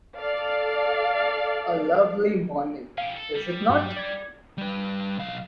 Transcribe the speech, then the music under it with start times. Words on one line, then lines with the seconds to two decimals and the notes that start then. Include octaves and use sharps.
A lovely morning, is it not?
0.17 A4 D5 F5
2.98 C#4 G4 F5
3.18 A4
3.36 G3
3.69 G2 F#3 G4
3.96 D5 G#6
4.58 G3 B4
5.17 B1 F5